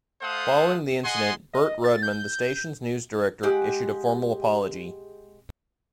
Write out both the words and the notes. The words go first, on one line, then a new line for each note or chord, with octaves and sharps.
Following the incident, Bert Rudman, the station's news director, issued a formal apology.
A3 A4 C5 F5 F#5 D#6
G#4 D#5 F#5 G#5 C6
D#5
A6
G6
G#3 G4 F#5